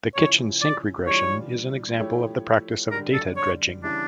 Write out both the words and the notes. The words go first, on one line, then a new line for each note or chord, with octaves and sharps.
The kitchen sink regression is an example of the practice of data dredging.
C#3 F3 C#4 E4 C#5
D5
E3 G3 D4 F4 C#5
F3 A3 E4 G4 C#5
D3 G3 D4 A#4
A4
C#5
C#3 E3 G3 C#4 D4 E4